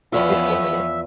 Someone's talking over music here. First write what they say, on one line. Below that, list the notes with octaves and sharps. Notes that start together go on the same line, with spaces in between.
did for a minute.
E2 F3 B3 C#4 F4 E5